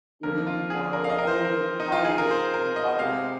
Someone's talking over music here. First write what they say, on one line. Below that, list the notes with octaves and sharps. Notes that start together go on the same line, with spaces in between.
It is one of the oldest houses in Byron.
F2 F3 A#3 A#4
F4
G#4
A#4
F5
D#5
A#4
C5
A#4
D#4
F4
G#4
A#4
C5
A#4
D#5
C3 G#3 C4 F5